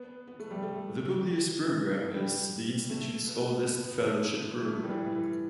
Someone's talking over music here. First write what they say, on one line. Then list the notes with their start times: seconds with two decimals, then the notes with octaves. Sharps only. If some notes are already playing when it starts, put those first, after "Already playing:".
The Publius program is the Institute's oldest fellowship program.
Already playing: B3
0.27 B3
0.40 A3
0.51 G3
0.63 A3
2.14 G3
2.90 A3
3.27 B3
3.65 B3
3.85 B3
4.02 A3
4.40 B3
4.65 A3
4.83 G3
4.90 E3
5.15 E3